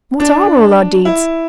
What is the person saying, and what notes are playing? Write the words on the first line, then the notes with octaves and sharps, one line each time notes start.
What are all our deeds?
D4
E4